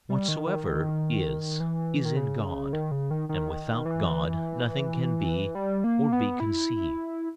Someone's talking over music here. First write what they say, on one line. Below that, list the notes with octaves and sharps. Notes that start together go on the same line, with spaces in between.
Whatsoever is, is in God, and without God nothing can be, or be conceived.
G3
D#3
D#3
E3
D#3
C#3
D#3
C#3
D#3
D#3
E3
G3
A#3
B3
E4